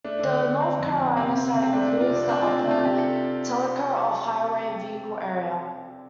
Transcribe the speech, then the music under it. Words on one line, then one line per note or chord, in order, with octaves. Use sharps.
The North Carolina side includes the Upper Tellico Off-highway vehicle area.
A3 D4
D3 D4
D3
C4
F2
C4
C3 C4
C3
C3
C4
A3 D4
C3 D4
F4
C3
D4
C4 D4
F4
C4
D4
C3 F4
C3 G4
A4